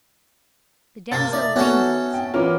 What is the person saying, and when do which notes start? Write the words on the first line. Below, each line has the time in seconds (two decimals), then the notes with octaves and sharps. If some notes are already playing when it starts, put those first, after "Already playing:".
The Denzille lane boys.
1.12 C3 A#3 A5 A6
1.33 D#4 D5 E5
1.56 B3 C#4 F#4 A4
2.14 G5
2.34 E3 C#4 F4 A#4 D6